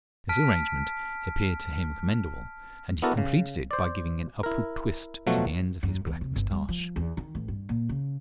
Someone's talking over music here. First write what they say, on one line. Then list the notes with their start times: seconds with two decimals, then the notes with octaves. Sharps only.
This arrangement appeared to him commendable, and he completed it by giving an upward twist to the ends of his black moustache.
0.29 A5 F6 B6 D7
3.02 B3 D4 E4 F#4 A4 A#4
3.17 C#3
3.71 C5 D5
4.43 E4 A#4
5.27 B2 F3 F#3 A3 F#4
5.83 F#2
6.07 E2
6.21 C3
6.36 G1
6.51 G3
6.69 F3
6.96 E2
7.17 D#3
7.35 A1
7.48 G2
7.69 A#2
7.89 C#3